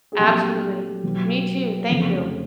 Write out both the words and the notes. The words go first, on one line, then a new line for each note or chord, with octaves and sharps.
Absolutely. Me too, thank you.
G#4
A#1 A#2 F#3 A3 C4 G4
B1 B2 F#3 B3
F1 F2 C#3